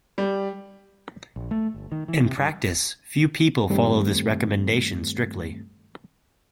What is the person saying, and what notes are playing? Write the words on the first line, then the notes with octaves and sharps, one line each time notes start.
In practice, few people follow this recommendation strictly.
G3
A#1
A3
G1
D#3
E3
C3
G2
G2 D#3 G3 A3 C4